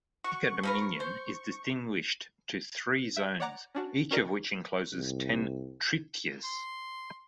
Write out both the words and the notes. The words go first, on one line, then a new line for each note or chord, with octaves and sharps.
The Attica dominion is distinguished to three zones, each of which encloses ten "trittyes".
F#4 C#6
F3 A#4 B4
C5
E5
C#5 D5 F#5 A#5 D6
C#4 D4 F#4
C#4 F#4 A#4 D5
C2
C6